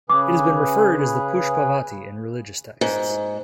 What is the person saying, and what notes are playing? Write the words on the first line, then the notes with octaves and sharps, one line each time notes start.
It has been referred as the Pushpavati in religious texts.
C#3 G#4 B4 D6
G#2